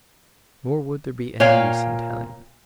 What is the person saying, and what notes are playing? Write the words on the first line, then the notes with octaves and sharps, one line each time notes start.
Nor would there be any use in telling them.
A#2 C#5 F5 G5